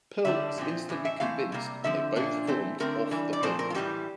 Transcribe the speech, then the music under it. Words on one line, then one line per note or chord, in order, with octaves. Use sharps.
Pearl was instantly convinced and they both formed Off the Hook.
D3 G3 D4 E5
A#2 F3 C4
A2 E3 C4
E5
E3 A3 C4 F5
C3 G3 A#3
D3 F3 C4 E5
A#2 F3 A#3 D4
E3 A3 C4
D3 A3 C4 A#4
E3 G3 D4
D5
A#2 F3 A3 C4 C5
A#4
F4
A2 E3 G3 A#3 G4